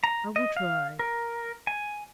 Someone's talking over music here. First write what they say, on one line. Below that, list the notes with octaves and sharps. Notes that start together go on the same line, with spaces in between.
"I will try."
A#5
D#5
F5
A#4
G#5